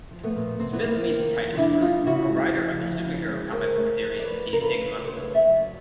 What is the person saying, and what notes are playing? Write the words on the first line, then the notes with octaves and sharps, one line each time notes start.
Smith meets Titus Bird, a writer of the superhero comic book series "The Enigma".
F3
A3 B3
A#2
C3 C4
B3
G3 A#3 C4
D#3
F2
F4
C3 D4 E4
G3 D#4 F4
C#3 E4 F#4
G#3
F3
D2
C#3
G#3
C#3 A#4 C5
A3
F3
D5
F2 B4 C#5
C#3 A#4
A4 B4
A3
C#3 C#5
C5
B4 C#5
A3
D5 E5
F#3